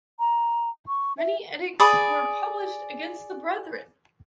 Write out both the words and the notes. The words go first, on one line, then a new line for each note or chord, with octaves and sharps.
Many edicts were published against the Brethren.
A#5
C#6
E5
G#4 D5 B5 D#6